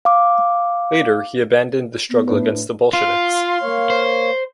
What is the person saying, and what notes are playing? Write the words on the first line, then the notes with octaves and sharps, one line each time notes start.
Later he abandoned the struggle against the Bolsheviks.
F5 D6
B3
A2 D4 B4
F4 F5 C6
A#3 C#5
C5